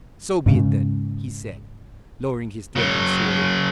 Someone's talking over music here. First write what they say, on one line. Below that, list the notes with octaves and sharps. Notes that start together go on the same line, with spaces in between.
"So be it then," he said, lowering his threatening sword.
G#2 C#3
C#3 F#3